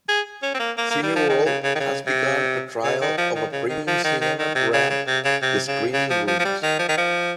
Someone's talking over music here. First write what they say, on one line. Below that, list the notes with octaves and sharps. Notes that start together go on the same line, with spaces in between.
Cineworld has begun a trial of a premium cinema brand, The Screening Rooms.
G#4
C#4
C4
A#3
A#3
A#3
G3
F3
D#3
C#3
C#3
D#3
C#3
C3
C#3
D#3
F3
D#3
C#3
D#3
F3
D#3
D#3
D#3
C3
C#3
C#3
C3
C#3
C3
C#3
C#3
F3
F3
F3
G3
D#3
F3
D#3
F3